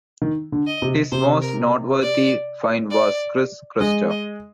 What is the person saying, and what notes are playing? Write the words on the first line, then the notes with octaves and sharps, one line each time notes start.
His most noteworthy find was Chris Crutcher.
D#3
D3
D#5
C3
C3 C5
A#4
D5
D5
G#3 D#5
D#5